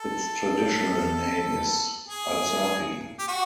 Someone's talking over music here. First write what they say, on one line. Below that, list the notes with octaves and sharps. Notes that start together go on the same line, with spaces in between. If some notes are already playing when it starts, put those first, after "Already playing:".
Its traditional name is Alsafi.
Already playing: A4
G#4
G4
F#4